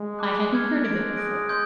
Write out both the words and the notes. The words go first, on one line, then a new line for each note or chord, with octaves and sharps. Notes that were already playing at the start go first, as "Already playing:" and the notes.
I hadn't heard of it before.'
Already playing: G#3
A5 D6 F#6
D6 F6 G#6 C#7
G#3 F#6 A#6 D7
D#6 F#6 A#6 D7
C6 D#6 G6